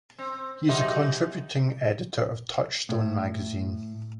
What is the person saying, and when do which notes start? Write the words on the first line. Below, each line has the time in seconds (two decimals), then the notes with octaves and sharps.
He is a contributing editor of "Touchstone" magazine.
0.19 C4
0.69 G#2 F#3 D#4 G4 E5 C6
2.89 A2